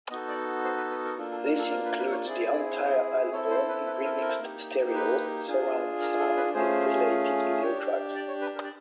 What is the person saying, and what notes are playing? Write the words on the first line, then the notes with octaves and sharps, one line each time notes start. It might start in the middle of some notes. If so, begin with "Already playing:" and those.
This includes the entire album in remixed stereo, surround sound, and related video tracks.
B3 D#4 F#4 A4 D#5
D5
C5
B4
B4
A#4
A#3 D4 F4 A4
A4
A#4
A4
A#4
B4
B4
C#5
C4 E4 G#4 D5
C4 E4 A4 C#5
C5
B4
B4
A#4
A#4
A#3 D#4 G4
B4
D4 F4 G#4
A#4
A4
B4
A3 C#4 F4 G#4 C5
D4 G4 C#5
D5
C#5
B4
A#4
D5